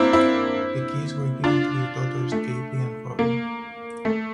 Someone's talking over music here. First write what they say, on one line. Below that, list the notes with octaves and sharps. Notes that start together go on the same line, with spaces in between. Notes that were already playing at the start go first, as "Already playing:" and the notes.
The keys were given to his daughters, Cathy and Robin.
Already playing: A#3 C4 D4 E4
C4 E4
D4 F4
A3
A#3
A3